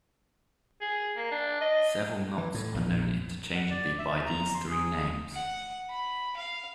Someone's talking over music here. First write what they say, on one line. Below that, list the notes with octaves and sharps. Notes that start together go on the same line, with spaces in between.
Several knots are known interchangeably by these three names.
G#4
A#3
D4
D#5
E3
A2
A#1
F#5
D5
E5
A#5
C6
G#4
F#5
B5
F5